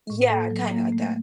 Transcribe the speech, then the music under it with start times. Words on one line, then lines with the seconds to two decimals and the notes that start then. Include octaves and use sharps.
Yeah. Kinda like that.
0.10 A2
0.30 A#3 A4
0.51 F#3
0.72 A#3
0.92 A3